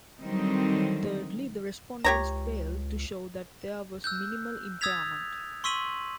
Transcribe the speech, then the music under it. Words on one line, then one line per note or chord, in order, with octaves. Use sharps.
Thirdly, the respondents failed to show that there was "minimal impairment".
D3 D#3 F#3 G3 C4 D#4
C#2 G4 C#5 A#5
E6 F#6 G6
D#6 E6 G#6 A6 B6 F7
C6 C#6 E6 B6 D#7 F#7